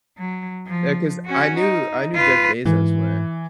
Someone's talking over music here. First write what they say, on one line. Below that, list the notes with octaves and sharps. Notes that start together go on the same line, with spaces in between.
Yeah, 'cause I knew I knew Jeff Bezos went.
F#3
F3
C#4 F#4
D#4
F4 B4
G#2 E3